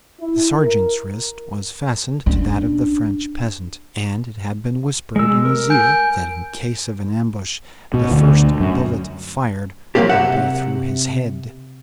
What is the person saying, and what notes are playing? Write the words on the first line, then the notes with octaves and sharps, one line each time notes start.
The sergeant's wrist was fastened to that of the French peasant, and it had been whispered in his ear that in case of an ambush the first bullet fired would be through his head.
E4
A#4
C#4 D4
G#3 E6
A#4
G#5 G6 D7
B2
D2
F#2
F3 F#3 G#3 A#3 C4 G4
C3 E5 F#5